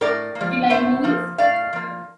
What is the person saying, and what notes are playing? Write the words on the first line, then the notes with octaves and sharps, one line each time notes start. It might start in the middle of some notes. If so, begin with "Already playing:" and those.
Don't you like movies?
A2 A#4 D5
A#3
F3
A2 C5 E5
F3 A#3
A2 D5 F5
F3 A#3